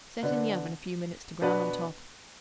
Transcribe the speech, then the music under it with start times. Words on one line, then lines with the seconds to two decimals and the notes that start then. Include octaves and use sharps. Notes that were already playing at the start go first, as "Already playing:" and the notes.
Set in the oven a few minutes to brown on top.
0.23 D3 B3 D4
1.42 B2 B3 D4 B4